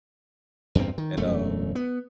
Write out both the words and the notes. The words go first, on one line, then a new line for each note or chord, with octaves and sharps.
and, um,
E2 G2 A#2 C4
D#3
E1 F#2 A3
B3